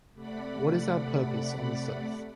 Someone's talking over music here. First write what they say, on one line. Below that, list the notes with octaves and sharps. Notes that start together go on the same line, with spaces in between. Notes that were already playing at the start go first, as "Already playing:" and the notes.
What is our purpose on this earth?
C3 A3 D5 F#5 B5